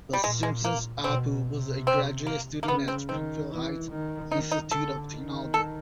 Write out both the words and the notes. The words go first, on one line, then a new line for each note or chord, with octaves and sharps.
"The Simpsons"' Apu was a graduate student at "Springfield Heights Institute of Technology".
G3
A#2 G#3
G#3
A#3
B2 C4
C3
C4
A#3
A#3
C#3 B3
C4
D#3 C4
E3
D#3
D#3 D#4
D#4
D3 A4
D#3
A4